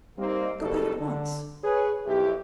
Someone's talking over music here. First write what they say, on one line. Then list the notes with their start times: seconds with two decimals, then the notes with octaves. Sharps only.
Go back at once!
0.18 G3 A#3 C4 D#4
0.60 F#1 B2 G3 A4
1.00 D3
1.63 G#4 B4 C#5
2.06 B1 F2 E4 G4